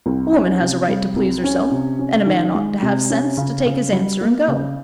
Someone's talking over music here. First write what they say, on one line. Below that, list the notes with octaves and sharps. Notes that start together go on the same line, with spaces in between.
A woman has a right to please herself, and a man ought to have sense to take his answer and go.
C2
C#4
C3
G3
C2
C#4
C3
C#4
D#3
G#3
C3
C#4
C#3
C#3
G3
A#3
C#3